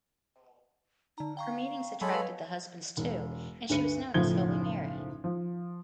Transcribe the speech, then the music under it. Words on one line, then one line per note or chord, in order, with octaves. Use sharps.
Her meetings attracted the husbands too and she was known as "Holy Mary".
D3 D#4 A#5
F5 G5 A#5 C#6
F#3 G#3 A4 C#5 B5
B4 F5 G#6
E1
D2 G2 B4 C#7 D#7
F#1 B1 A2 F3 G#6 G7
F3